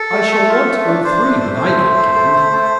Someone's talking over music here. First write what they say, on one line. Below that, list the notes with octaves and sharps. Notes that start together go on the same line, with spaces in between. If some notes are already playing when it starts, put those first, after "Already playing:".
I shall want all three when I get going.
Already playing: A4
A3
A3
F4
A3
D4
D4 C5
A3
A3
A3
A3
A3
A3
A3
A3